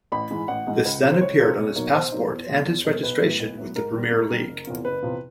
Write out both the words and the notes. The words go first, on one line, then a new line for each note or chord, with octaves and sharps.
This then appeared on his passport and his registration with the Premier League.
A1 B5
G#2 E3 G#3
A1 F#5
G#2 E3 G#3
C#2
C3 F3
C5
C#2 C#5
C3 F3
B1
B2 F#3 A#3 D#4
B1 C5
B2 F#3 A#3 D#4
E2
B2 G#3 C#4
E2
B2 G#3 C#4
B1 B4
A2 F#3 B3 E4
B1
A2 F#3 B3 E4
G#2 A#4
D#3 G3 B3
G#2
D#3 G3 B3
F#1
E2 C3 F3
F#1 B4
E2 C3 F3